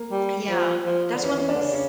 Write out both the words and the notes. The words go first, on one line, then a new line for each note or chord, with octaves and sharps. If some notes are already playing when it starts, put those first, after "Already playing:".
Yeah, that's one of these
Already playing: A#3
G3
F3
F3
D3
E3 C#4
C#4
D4
D3
C#3
C#4